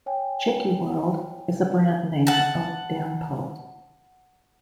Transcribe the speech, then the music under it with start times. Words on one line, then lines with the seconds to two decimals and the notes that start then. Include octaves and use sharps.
Chicky World is a brand name of Danpo.
0.06 C#5 G5 G#5
2.27 F#5 A5